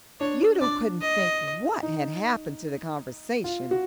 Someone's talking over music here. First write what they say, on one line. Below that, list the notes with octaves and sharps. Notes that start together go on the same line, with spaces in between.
Udo couldn't think what had happened to the conversation.
D4 C#5
D4 D5
D#5
D#4
F4
F#4